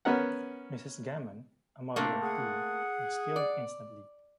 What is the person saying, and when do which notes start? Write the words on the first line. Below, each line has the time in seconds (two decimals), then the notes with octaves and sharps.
Mrs Gammon, a mother of two, was killed instantly.
0.05 B3 C#4 A#4 F#5
1.96 C3 A3 A#3 D4
2.23 G#4 F#5
3.36 D5